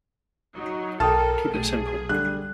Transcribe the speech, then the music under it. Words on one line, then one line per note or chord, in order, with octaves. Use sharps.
Keep it simple.
F#3 D#4
B1 A4 A#4 G5 A5 D#6 F6
B1 A3 G#4 D#7
D3 G3 F#6